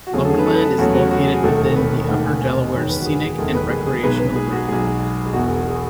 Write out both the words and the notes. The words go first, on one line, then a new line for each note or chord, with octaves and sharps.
Lumberland is located within the Upper Delaware Scenic and Recreational River.
F#4
E2 C#3 F#3 A3 G#4
A4
G#4
B4
A4
B4
A4
E2 C#3 F#3 A3 F#4
F#4
F#4
G#4
E1 D#2 D#3 A3 A4
B4
E1 D#2 D#3 A3 F#5
G#5
G#5
D#5
F#1 E2 D#3 G#3 C#5
B4
F#4
G#4
G#4
F#1 E2 D#3 G#3 A4
B4
G#4
G#4
B1 B2 G#3 B4
B4
G#4
F#4
B1 B2 G#3 G#4
G#4
E1 E2 B2 F#4
G#4
G#4